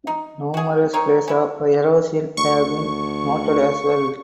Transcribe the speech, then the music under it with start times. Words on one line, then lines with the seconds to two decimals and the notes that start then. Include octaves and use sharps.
Numerous places of erosion have been noted as well.
0.07 D#4
0.54 F#4 G#4
0.93 C4 D#4 A#4 C#5
1.28 C#4 E4
2.37 D2 C#6